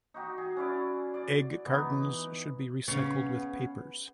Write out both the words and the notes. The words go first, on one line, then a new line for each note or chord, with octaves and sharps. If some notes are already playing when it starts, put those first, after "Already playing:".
Egg cartons should be recycled with papers.
D#4 F#4 G4
G#4
C#4 E4 D5
D5
E3 B3 D#4
C#3 B3 C#4